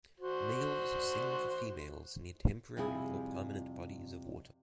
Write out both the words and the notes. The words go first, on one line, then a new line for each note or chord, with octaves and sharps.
Males sing for females near temporary or permanent bodies of water.
F#4 C5
F2 C3 G3 E4 G#4